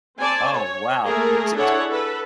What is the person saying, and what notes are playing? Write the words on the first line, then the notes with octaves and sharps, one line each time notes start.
Oh, wow, di di
C4 D5 G#5 A5
C#5
A3 A#3 G#4 A#4
D4 E4 G#4 A4 C#5 F#5
A4 B4